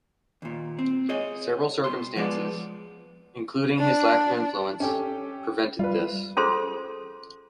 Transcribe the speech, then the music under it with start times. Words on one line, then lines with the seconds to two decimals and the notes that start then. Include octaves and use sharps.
Several circumstances, including his lack of influence, prevented this.
0.42 D#2 A#2
0.79 C4
1.09 G#4 C#5 D#5
1.84 C2 B2 C6
2.16 F3 G#3 B3 A#4 D5
3.79 D4
4.80 C#4 G4 A4
5.79 G3 F4 B4
6.37 C#4 F4 G#4 A4 C5 C6